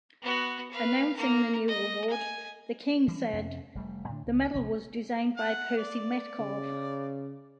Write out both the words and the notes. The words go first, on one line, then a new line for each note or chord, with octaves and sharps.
Announcing the new award, the King said: The medal was designed by Percy Metcalfe.
B3 F#4
B4 F5
A#3 A#4
D#5
G#5
E3 F3 G3 G#3
F2 C3 C4 C#4
F1 G3 A3
A2 D3 C4 D4
C#2
E1 A#1 C3 C4
F#5
D5
C#3